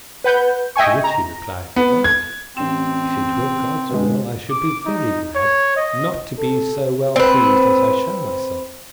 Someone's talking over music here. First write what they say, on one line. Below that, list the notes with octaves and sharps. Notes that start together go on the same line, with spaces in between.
To which he replied, "Wife, if it were God's will, I should be very glad not to be so well pleased as I show myself."
B4 F#5 G6
D#5 E5 G5 G#5 C#6
A#5
B3
G#6
A1 C4 E7
B2 D3 G#3
D6
D#4
C#5
D#5
A4
C4 B4